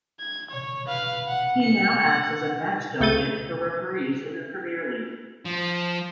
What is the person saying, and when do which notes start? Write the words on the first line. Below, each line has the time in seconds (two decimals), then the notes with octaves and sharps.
He now acts as a Match Delegate for referees in the Premier League.
0.20 G#6
0.50 C#5
0.87 B4 F5
1.28 F#5
1.62 C#7
2.04 F#5
3.00 C#2 A3 G6 A6 D#7
5.45 F3